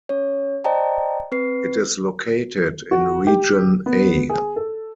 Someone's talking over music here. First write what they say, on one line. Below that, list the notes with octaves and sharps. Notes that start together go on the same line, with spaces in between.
It is located in Region A.
C#4 C#5
C5 D5 D#5 G5 A5 A#5
C4 B4 C7
F#4
G4
B3
G#4
A4